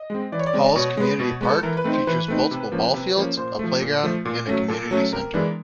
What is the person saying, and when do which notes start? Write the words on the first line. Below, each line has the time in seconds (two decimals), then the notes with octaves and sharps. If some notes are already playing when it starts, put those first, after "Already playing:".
Halls Community Park features multiple ball fields, a playground, and a community center.
Already playing: D#5
0.10 G#3 C4
0.32 E3 D5
0.40 C#5
0.47 D5
0.53 G#3 C4
0.76 B2 C#5
0.97 G#3 B3
1.20 B2
1.41 G#3 B3
1.51 A4
1.63 E3 A#4
1.77 B4
1.84 A3 C4 D#4
1.93 C5
2.07 E3 B4
2.28 A3 C4 D#4
2.51 C3
2.72 F3 A#3 C#4
2.94 C3
3.17 F3 A#3 C#4
3.37 A#2 C5
3.59 F3 A3
3.81 A#2
4.03 F3 A3
4.25 A#2
4.47 F#3 A3 C#4
4.68 A#2 A4
4.91 F#3 A3 C#4
5.12 C3 A#4
5.34 E3 G#3 B3 D4